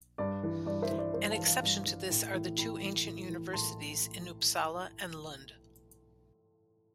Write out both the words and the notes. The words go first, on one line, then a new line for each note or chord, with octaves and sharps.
An exception to this are the two ancient universities in Uppsala and Lund.
G2 D5
E3
G2 D5
C5 E5
E3
D5
G2 C5
F5 A5
E3
F5 A5
G2
E3
A2
E3
A2 G5 B5
E3
A2
E3
A2 A5 C6